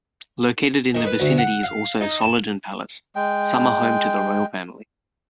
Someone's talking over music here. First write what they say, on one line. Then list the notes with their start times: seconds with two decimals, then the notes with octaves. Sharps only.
Located in the vicinity is also Solliden Palace, summer home to the royal family.
0.95 D#3
1.07 B4
1.20 D2
1.38 F#5
1.63 F5
2.01 D#4
2.21 A5
3.16 G#3 G5